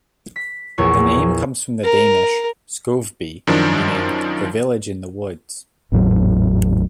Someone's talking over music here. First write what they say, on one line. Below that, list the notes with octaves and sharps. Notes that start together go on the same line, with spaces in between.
The name comes from the Danish "Skovby", meaning the "Village in the Woods".
B6
A#1 E2 C#5
A#4
F#2 D#3 F3 D4
G#1 E2 A2 F#3